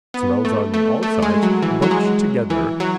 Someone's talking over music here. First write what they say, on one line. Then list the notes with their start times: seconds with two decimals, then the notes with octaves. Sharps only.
Smells on all sides, bunched together.
0.14 B3
0.45 A3
0.74 A3
1.03 A3
1.22 G#3
1.43 F#3
1.62 E3
1.82 F#3
1.91 G#3
2.50 E3
2.80 F#3